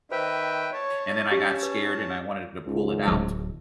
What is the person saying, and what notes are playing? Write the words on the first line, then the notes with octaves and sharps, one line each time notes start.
and then I got scared and I wanted to pull it out,
D#3 B4 C5 E5 G5
C#5 A5
C#4 G4
B4
C#2 G#2
D1 F#3